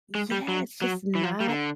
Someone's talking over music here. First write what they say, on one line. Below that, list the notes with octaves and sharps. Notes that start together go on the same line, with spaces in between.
Yeah, it's just not
G#3
G3
F#3
F#3
E3
F3
G3
D3